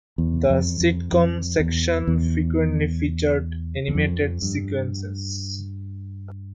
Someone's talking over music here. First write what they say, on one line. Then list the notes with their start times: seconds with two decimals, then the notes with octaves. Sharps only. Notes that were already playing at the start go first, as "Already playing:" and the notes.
The sitcom section frequently featured animated sequences.
0.18 E2
0.50 F2
0.81 F2
1.13 F2
1.59 E2
2.07 E2
3.88 E2
3.95 F2
4.42 G2